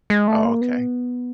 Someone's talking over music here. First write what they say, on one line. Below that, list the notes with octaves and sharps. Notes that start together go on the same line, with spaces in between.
Oh, okay.
G#3
A3
A#3
B3